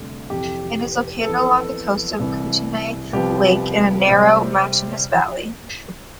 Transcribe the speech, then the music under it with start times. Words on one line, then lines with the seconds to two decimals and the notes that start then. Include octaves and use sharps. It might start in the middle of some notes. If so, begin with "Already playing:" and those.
It is located along the coast of Kootenay Lake, in a narrow, mountainous valley.
Already playing: D2 C3 G3
0.30 F2 C3 E3 G4
1.24 F2 E3 B3 A4
2.19 C2 C3 E3
3.13 C2 C3 F3 B3 G4
4.07 C3 G3 C4